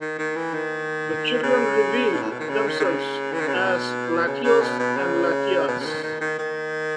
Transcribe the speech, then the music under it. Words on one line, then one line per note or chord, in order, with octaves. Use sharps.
The children revealed themselves as Latios and Latias.
D#3
D#3
E3
D#3
C#3
B2
A2
B2
D#3
C#3
D#3
D#3
C#3
E3
D#3
C#3
B2
C#3
C#3
B2
B2
C#3
B2
C#3
D#3
D#3
D#3
D#3